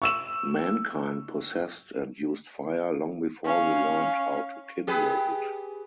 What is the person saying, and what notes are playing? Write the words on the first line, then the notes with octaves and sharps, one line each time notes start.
Mankind possessed and used fire long before we learned how to kindle it.
C#6 E6 E7
C#4 F5
G4 G#4 B4